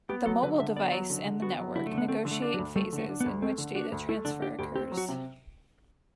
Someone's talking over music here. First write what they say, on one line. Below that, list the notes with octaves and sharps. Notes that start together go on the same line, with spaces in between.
The mobile device and the network negotiate phases in which data transfer occurs.
B3 G4
F#3 A4
D3 B4
D3 E5
B3 D5
F#3
D3
D3
B3 F#4
F#3
D3 E4
A3
D3
B3
A3 C4
D3
A3
D4
F#3
D2
G3 A3
D3
A3
D4
B3
D2
A3 C4
D3
D4 F#4
D2
A3 E4
D3 D4
D4 G4
D2 G4
C4 G4
F#3
F#4
C3